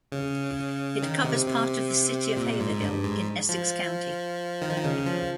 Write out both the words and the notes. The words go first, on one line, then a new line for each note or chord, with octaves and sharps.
It covers part of the city of Haverhill in Essex County.
C#3
D#3
C3
C3
A#2
G#2
G2
G#2
F3
D#3
F3
D#3
C#3
F3